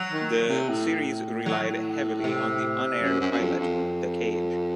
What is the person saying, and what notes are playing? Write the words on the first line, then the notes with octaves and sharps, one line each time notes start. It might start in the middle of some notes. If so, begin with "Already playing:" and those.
The series relied heavily on the unaired pilot "The Cage".
Already playing: F#3
D#3
C3
A2
F#3
C3
F#2
F#2
F#2
F2
F2